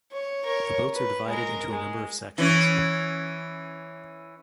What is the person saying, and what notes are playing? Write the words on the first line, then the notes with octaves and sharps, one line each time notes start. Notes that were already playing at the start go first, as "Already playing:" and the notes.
The boats are divided into a number of sections.
C#5
A#4 C#5
B4
G#3 A#4
G#3
E3 C#4